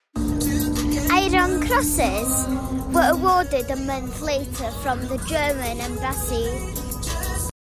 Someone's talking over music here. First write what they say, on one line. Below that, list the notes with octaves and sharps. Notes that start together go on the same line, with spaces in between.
Iron Crosses were awarded a month later from the German embassy.
D4
C4
C4